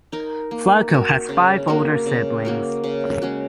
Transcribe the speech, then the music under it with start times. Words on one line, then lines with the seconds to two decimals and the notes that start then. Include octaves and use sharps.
Flacco has five older siblings.
0.12 D#4 A#4
0.51 A#3
0.90 F#4 A#4
1.29 C#3
1.68 A#3 F#4 A#4
2.06 C#3
2.45 A#3 F#4 A#4
2.84 C#3
3.22 G#3 C#4 F#4